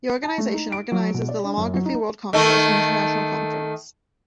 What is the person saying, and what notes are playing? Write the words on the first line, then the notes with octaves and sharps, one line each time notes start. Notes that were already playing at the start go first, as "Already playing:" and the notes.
The organisation organises the Lomography World Congress, an international conference.
A5
A3
D#4
D7
F#3
B2
D5
D4
F#2
F#3
D#4
D#3 A3